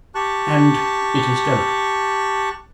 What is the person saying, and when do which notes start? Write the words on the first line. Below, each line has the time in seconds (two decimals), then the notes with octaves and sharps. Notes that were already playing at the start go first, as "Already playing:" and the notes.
"And it is delicate."
0.15 G4 A5 C#6 F#6